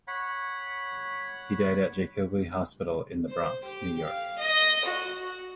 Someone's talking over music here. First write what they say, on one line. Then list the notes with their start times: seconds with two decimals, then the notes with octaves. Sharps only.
He died at Jacobi Hospital in the Bronx, New York.
0.07 C#5 F#5 B5
3.29 C5
3.64 G4
4.04 F5
4.38 D#5
4.85 F#4
5.22 F#4